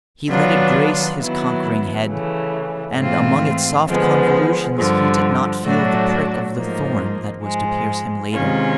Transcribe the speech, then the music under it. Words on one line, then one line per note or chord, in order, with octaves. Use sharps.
He let it grace his conquering head, and, among its soft convolutions, he did not feel the prick of the thorn that was to pierce him later.
D#3 F#3 B3 D4 F4
D#3 F#3 B3 E4
C#3 E3 A3
G#2 E3 A3 C4 F4
D3 F3 G#3 B3
G2 D3 F3
A2 F#3 A3 D4 F#4
G#2 F3 A#3 D#4
G#2 F3 G#3
C3 D#3 G#3 C#4 F4